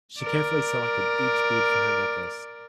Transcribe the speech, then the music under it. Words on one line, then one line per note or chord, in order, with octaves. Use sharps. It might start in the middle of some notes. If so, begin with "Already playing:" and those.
She carefully selected each bead for her necklace.
A#4 D5